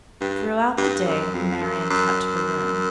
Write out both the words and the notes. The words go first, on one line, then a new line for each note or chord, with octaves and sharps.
Throughout the day Marian kept her room.
G2
G2
F#2
F2
F#2
F#2